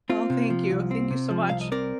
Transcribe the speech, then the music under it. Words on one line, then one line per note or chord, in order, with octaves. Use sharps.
Oh, thank you, thank you so much.
C4 F4
C3
F3
C2
C4
C3
F3
C2 F5
D#5
C4 A#4 D5